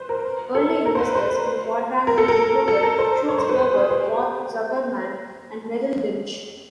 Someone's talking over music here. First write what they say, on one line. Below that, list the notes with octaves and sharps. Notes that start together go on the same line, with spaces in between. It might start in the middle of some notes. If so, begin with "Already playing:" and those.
Early investors in Quadrangle included Sulzberger, Mort Zuckerman, and Merrill Lynch.
Already playing: B4 C5
A#4
A4
A#4
C5
B4
C5
A#4
A4
A#4
A4
A#4
C5
C#5
C5
B4
C5
G#4
G4